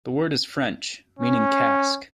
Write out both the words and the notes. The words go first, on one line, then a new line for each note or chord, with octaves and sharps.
The word is French, meaning 'cask'.
C#4